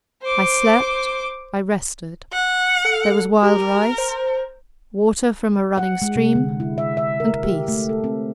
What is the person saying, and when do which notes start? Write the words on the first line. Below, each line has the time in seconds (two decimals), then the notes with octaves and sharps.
I slept; I rested; there was wild rice, water from a running stream--and peace!
0.22 C5 D6
2.33 F#5
2.85 A4
3.43 G4 A#4
3.98 C5
5.78 F#5
6.02 G#3
6.16 C3
6.35 D3
6.60 E4
6.78 E5
6.97 E5
7.20 A#4
7.44 G4
7.68 A3
7.89 A4
8.04 C4